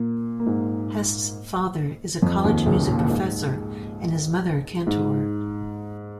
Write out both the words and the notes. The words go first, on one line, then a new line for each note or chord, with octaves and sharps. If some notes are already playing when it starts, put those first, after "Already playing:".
Hest's father is a college music professor and his mother a cantor.
Already playing: A#2 A#3
A#3
G#2 G#3
F2 F3
D#2 D#3
C#2 C#3
C#3
A#2
G#2
G#2